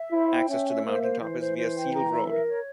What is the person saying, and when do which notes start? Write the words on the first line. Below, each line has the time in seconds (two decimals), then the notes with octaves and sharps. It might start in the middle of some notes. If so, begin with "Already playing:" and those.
Access to the mountain top is via sealed road.
Already playing: E5
0.12 E4 C5
0.30 G5
0.48 C#4 E5
0.67 E5
0.85 A#3 C5
1.02 C5
1.20 E3 C5
1.39 C5
1.57 C5
1.75 G5
1.93 A#5
2.12 E5
2.29 A#4
2.48 C#5